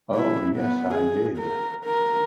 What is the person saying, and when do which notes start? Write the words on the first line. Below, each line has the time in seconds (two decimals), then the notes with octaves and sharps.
Oh, yes, I did.
0.15 E4
0.55 B3
0.95 G#4
1.38 A#4
1.85 A#4